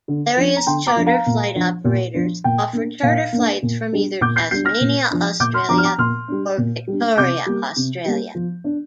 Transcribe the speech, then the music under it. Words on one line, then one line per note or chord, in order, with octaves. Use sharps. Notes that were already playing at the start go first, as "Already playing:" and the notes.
Various charter flight operators offer charter flights from either Tasmania, Australia or Victoria, Australia.
D3
F3 D4
A#5
D3 G5 C6
A#5 D6
F3 D4
F5 A#5
A#2
F3 D4
A#2
F3 D4
A#2 G5
A#3 D4
A#2 F5
A#3 D4
A#2
G3 D4
A#2 D6 G6
G6 C7
G3 D4 G6 C7
F6 A#6
A#2
F3 D4
A#2 D6 G6
C6 F6
F3 D4 A#5 D6
F6
A#5 D6
A#2 C6 F6
G3 D4
A#2
G3 D4
C3 D6 G6
G3 A#3
C3
G3 A#3
F3
D4